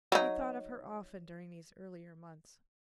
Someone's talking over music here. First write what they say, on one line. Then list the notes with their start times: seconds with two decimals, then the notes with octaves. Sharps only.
He thought of her often during these earlier months.
0.12 F#3 D#4